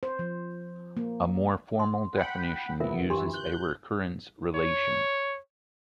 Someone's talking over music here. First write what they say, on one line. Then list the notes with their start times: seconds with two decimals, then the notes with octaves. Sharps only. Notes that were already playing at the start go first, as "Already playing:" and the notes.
A more formal definition uses a recurrence relation.
0.03 C5
0.19 F3
0.97 A#3
1.79 C6
2.14 F#5 G5 B5
2.80 E2 C3 B3 F4 A#4 E5
3.10 F#2 E3 D4 G4 C6
3.33 F#6 G6
4.55 C#5